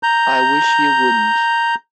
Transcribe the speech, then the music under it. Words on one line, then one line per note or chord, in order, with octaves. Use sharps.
I wish you wouldn't.
A#5 G6